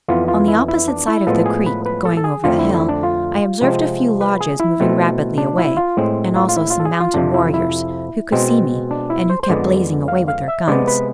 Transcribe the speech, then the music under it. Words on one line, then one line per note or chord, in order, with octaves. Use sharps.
On the opposite side of the creek, going over the hill, I observed a few lodges moving rapidly away, and also some mounted warriors, who could see me, and who kept blazing away with their guns.
F2 E3 B3 F4
F4
E4
E4
D4
E4
A2 F3 G#3 B3 A4
G#4
B4
B4
A4
A4
G#4
F2 D3 A3 C4 F4
E4
E4
D4
F4
C3 F3 G#3 C4
B4
G#4
E4
B2 A3 C4
D4
E4
F4
A2 G#3 C4
F4
F4
E4
F4
A4
G#4
F4
F2 C3 F3 D4
E4
E4
B2 G#3 C4
D4
E4
C5
C5
F2 D3 G#3 B3 D5
F5
F5
E5
C3 G#3 B3 D5
B4